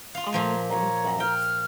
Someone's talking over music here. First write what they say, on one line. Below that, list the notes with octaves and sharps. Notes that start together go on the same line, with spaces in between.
I think that
F4 F5
A#2 F3 G#5 A#5
C#5 A#5
G5 F6